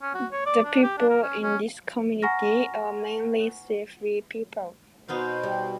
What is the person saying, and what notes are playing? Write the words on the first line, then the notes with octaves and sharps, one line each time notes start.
The people in this community are mainly Sefwi people.
C#4
F#4
C#5
D5
D4
G4
D4
A#4
C#4
C#4
F#5 G#5 A#5 C#6 F6 A#6
B2 B3 D#4 C5 F5
G3